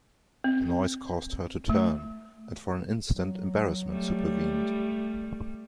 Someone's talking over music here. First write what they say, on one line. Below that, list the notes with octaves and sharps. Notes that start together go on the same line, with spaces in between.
The noise caused her to turn, and for an instant embarrassment supervened.
C4
A3
F#3
G3 A3